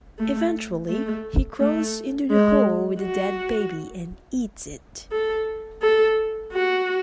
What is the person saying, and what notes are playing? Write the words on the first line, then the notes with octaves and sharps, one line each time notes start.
Eventually, he crawls into the hole with the dead baby and eats it.
A3
A3
A3
G#3
F#4
A4
A4
F#4